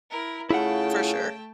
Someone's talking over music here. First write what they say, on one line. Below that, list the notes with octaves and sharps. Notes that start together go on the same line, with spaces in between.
For sure.
E4 A#4
C#3 A3 E4 F4 F#5 G5 A5